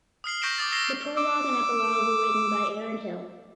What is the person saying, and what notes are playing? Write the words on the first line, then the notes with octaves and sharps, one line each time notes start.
The prologue and epilogue were written by Aaron Hill.
D#6 F6 C7 F#7
C#6 G6 A#6 B6 D7 E7
D6 D#6 A6
E6 A6 A#6 C7 E7 G7
D6 E6